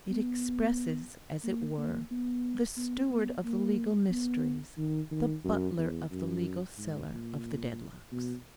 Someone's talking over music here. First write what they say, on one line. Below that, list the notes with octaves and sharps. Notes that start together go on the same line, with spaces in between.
It expresses, as it were, the steward of the legal mysteries, the butler of the legal cellar, of the Dedlocks.
B3
A#3
A#3
B3
B3
B3
A#3
B3
D#3
D#3
F#2
E2
F#2
G#2
A#2
B2